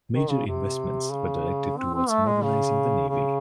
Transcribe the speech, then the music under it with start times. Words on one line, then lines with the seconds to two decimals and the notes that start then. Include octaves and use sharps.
Major investments were directed towards modernizing the navy.
0.13 D#3
0.30 C#3
0.46 C3
1.12 C#3
1.77 C4
1.94 C4
2.10 A3
2.26 G#3
2.43 C#3
3.08 C#3